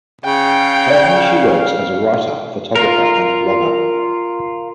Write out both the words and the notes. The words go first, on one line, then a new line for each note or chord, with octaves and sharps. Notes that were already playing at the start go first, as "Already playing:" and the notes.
Currently she works as a writer, photographer, and blogger.
C#3 F5 G5
D5
F4 A#4